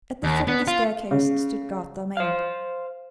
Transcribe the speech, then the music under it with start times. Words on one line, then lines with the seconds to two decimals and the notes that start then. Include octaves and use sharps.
At the foot of the staircase stood Garth Dalmain.
0.24 D#2
0.48 B3
0.67 F4
1.11 C#3
2.17 C5 F5